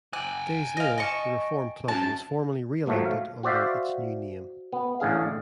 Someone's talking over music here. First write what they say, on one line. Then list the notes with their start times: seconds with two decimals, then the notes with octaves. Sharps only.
Days later the reformed club was formally re-elected under its new name.
0.13 G5 G#5 F#6
0.77 D#5 F5
0.98 D#5 A5 C#6
1.88 C#4 F#4 A5
2.86 D#2 G#2 F3 F#3 A3
3.05 F5
3.43 F#4 C5 D5 E5 F5
4.72 B3
5.00 A1 A2 D3 G#4 F5